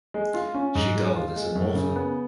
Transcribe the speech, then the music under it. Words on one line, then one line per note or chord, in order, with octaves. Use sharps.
Shital is an author.
G#3
F4
C#4
G#2
G#3
F4
G#3
F#2
C#3
B3